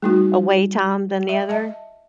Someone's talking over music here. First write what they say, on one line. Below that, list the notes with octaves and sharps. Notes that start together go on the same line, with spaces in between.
away time than the other?
G3 A3 D#4 F#4 G#4
E5
D#5 E5 A5